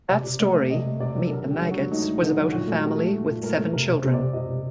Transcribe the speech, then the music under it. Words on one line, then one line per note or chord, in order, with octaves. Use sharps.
That story, "Meet the Maggots", was about a family with seven children.
C3 D5
C3
A3 D5
A3
C3 D#5
A3
C3 D5
F#3
A4
D3 A#4
D3 G4
F#3
F#4
F#3
A3 D#4
A3
D3 D#4
F#3
A#2 F#4
A3
A3 G4
A3
A3
A#2
A3 A#4
A3
C3 A#4
C3 C5
C3 C5
D5
C3
C3 D#5
C3